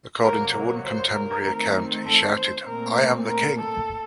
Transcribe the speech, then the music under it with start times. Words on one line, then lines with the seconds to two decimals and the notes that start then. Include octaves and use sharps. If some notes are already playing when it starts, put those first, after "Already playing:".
According to one contemporary account, he shouted I am the king!
0.23 C3 F#3 A#3 A#4
0.53 A#4
0.83 C5
1.13 A#4
1.44 D#3 A3 C4
2.05 A4
2.35 C5
2.65 A#2 A3 C4 A#4
3.26 A#4
3.57 A4